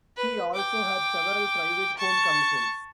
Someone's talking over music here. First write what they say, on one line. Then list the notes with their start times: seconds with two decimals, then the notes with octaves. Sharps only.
He also had several private home commissions.
0.17 B4
0.54 G5 D6
1.97 A5 C#6